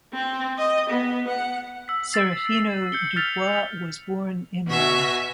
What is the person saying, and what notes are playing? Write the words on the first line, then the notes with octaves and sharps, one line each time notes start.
Serafino Dubois was born in Rome.
C4
D#5
B3
F#5
E6 B6
E6 A6 C7
G6 C7 C#7 F#7 G7
E6 F6 A6 B6 F7
B2 F#4 E5 G#5